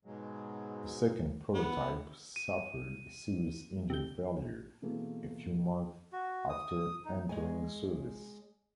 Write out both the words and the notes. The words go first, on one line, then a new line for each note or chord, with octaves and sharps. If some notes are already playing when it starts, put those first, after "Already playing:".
The second prototype suffered a serious engine failure a few months after entering service.
G#2 B2 F#3 G#3
B3
D#7
C3 G6
B2 E3 A3 A#3 C4 G#4
F#4
D#6
D#4
G#3 C#5 G#5